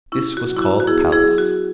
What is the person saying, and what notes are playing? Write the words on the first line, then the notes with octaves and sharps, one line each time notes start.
This was called Pallas.
C#4 E4
F#4
F#3
E4
F#4
F#4
B3 E4 G#4
E4 G#4
F#3
F#4